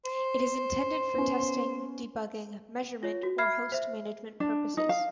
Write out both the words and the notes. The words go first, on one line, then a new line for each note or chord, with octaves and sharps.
It is intended for testing, debugging, measurement, or host management purposes.
C5
B3 C#4
F4 C#5
F#4
E5 B5 F6 G#6 C7
C5 E5
D4
D#4
F5